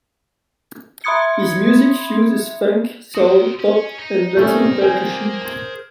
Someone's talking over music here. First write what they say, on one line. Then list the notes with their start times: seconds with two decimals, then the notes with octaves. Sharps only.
His music fuses funk, soul, pop and Latin percussion.
1.04 E5 B5 C6 D#6 G#6 C#7
3.15 F#4 C5 D#6 C#7
3.60 C#4
3.99 D#4
4.37 C3 G3 A3 C#4 G#4 A#4 C5
4.82 A#3 G5 G#5
5.42 G6 G#6